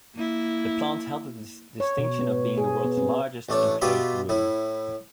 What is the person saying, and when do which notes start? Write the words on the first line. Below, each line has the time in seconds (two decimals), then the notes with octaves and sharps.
The plant held the distinction of being the world's largest enclosed room.
0.15 A#3 E4
1.80 C#5
1.98 B2
2.19 B3
2.58 G#4
2.84 B3
2.98 C4
3.49 A1 A3 D4 C#5
3.82 B2 F4 G4 E5 B5 C#6
4.29 A2 E4